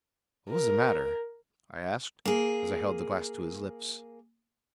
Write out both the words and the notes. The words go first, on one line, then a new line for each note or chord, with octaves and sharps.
"What was the matter?" I asked, as I held the glass to his lips.
A#4
A#3 G#4